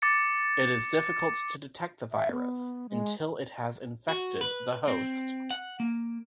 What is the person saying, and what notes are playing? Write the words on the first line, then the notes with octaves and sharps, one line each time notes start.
It is difficult to detect the virus until it has infected the host.
D6 A6 C#7
E5
B3
G#3
F#4
B4
C4
F#5
A#3